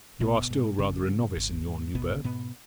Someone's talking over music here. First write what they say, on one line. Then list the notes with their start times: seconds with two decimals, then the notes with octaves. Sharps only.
You are still rather a novice in your new berth.
0.21 G#1 B2 B3
0.50 G#2
0.79 G#1 C#3 C#4
1.08 G#2
1.37 G#1
1.66 G#2
1.95 G#1 B2 B3
2.24 G#2 B2 B3